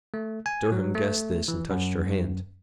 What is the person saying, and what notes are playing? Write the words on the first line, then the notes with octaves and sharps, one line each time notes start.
Durham guessed this and touched her hand.
A3
G#5
F#3
A3
E3
F#2